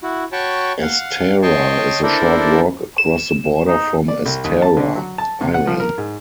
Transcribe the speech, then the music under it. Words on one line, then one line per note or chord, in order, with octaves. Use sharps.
Astara is a short walk across the border from Astara, Iran.
E4 F#4
F#4 C#5 G5 A5 B5 C#6
F5 F#5
C#5 D#5 G5 A5 C6 C#6
D4 E4 A4 A#4 C5 D5
E7
D#4
D5
C2
D#2
A5
D3
F#3
A5
C3
F#5
F3
A#4
G#2